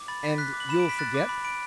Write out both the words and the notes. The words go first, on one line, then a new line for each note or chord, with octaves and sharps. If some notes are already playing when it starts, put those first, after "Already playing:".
"And you'll forget?"
Already playing: D6
B5 A6
B5 B6
F#6 B6
D6
F#7
B5 E7
B5 D7
B6
F#6 A6
D6
B5
B5 D7